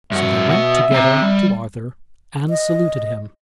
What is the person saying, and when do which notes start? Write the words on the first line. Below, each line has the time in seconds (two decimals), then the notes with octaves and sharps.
So they went together to Arthur, and saluted him.
0.12 G2 F#4 E5
0.49 B2 F#4
0.92 C4 A#5
1.22 G3
2.50 D#5